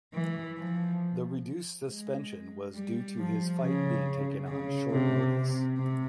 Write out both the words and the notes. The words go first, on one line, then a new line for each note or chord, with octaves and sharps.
The reduced suspension was due to his fight being taken on short notice.
E3
F3
G#3
G3
F3
C#3
C#3
C3
C3
C3